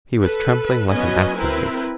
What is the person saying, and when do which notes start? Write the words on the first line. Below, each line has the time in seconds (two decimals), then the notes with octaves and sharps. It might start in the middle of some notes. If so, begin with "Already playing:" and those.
He was trembling like an aspen leaf.
0.22 A4 B4
0.89 F#3 B3 C#4 B4 D#5 G#5
1.36 C4 E4 A#4 B4